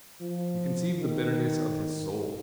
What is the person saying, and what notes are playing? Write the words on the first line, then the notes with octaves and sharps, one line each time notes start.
You conceive the bitterness of his soul.
F3
D#3